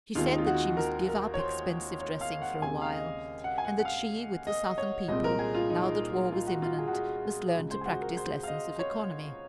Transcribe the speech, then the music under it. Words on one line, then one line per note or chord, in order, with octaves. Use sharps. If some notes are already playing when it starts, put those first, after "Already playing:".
She said that she must give up expensive dressing for a while; and that she, with the Southern people, now that war was imminent, must learn to practise lessons of economy.
D#2 D#3 G#3 C4 F4
D#4
F4
F#4
A#4
A#4
C#5
C5
C#5
F5
F#5
D#2 C#3 G#3 C4 G#5
F5
D#5
F#5
G#5
F#5
F#5
F5
D#5
C#5
C2 A#2 G#3 C4 D#5
A#4
G#4
F4
D#4
F4
F#4
F4
G#4
F#4
G#4
C#2 C#3 G#3
C5
G#4
F#4
A#4
C5
F5
D#5
C#5